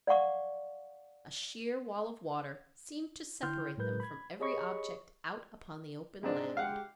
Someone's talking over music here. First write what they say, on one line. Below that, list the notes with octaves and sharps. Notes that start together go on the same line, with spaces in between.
A sheer wall of water seemed to separate them from every object out upon the open land.
D5 F5 F#5 C#6 D6
D3 E4 G5 C6 F6 G6
A2 F#3 G#3 A#4 B4 G6
B5 G#6
G4 G#4 C#5 D#5 B5 C#6
G#2 G#3 C4 D4 D#4
G#3 G4 F5 F#5